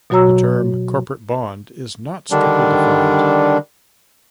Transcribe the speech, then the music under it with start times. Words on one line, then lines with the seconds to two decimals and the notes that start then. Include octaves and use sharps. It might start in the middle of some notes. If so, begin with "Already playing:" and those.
The term "corporate bond" is not strictly defined.
0.10 B2 F#3 F#4 C#5 A#5 E6
2.31 D3 D#3 G3 D4